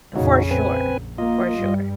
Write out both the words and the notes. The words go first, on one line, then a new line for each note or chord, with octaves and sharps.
For sure, for sure.
A#1 F2 C#3 D#4 F#4
A#1 C4 B4 G#5
A#3 F4 D#5
G2 G3